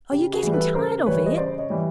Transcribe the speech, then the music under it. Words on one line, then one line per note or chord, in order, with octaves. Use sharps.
Are you getting tired of it?'
C#3 G4
F#4 G#4
E3 G3
A4 B4
C#3 A#4 C5
E3 G3 B4 C#5
D#5
C#3 C5 D5
C#5 D#5
E3 G3